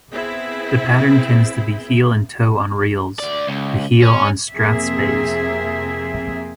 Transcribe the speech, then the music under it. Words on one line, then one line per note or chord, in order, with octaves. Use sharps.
The pattern tends to be heel-and-toe on reels, the heel on strathspeys.
B3 C4 E4 G#4
D2 D5
C#2
C#4
F2 C3 A#3 C4 G#4 E5